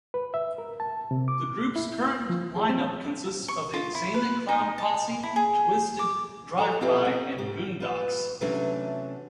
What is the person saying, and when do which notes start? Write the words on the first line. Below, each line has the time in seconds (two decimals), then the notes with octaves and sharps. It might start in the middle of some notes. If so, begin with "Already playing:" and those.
The group's current lineup consists of Insane Clown Posse, Twiztid Drive-By, and Boondox.
0.14 B4
0.34 E5
0.58 A#4
0.80 A5
1.11 C3
1.28 D6
1.76 E4
2.29 F3
2.56 G#4
2.69 C4
3.48 C#6
3.73 F4
3.95 E4
4.14 B4
4.49 D#4
4.78 A5
5.23 E4
5.36 G#4
5.99 D6
6.58 F3 A4 A#5
6.81 F3 C4 E4 F4 G4 B4
7.05 C4
7.38 G#2 G4
7.80 F4 B4
8.41 C3 E3 F#3 A3 C#4 D4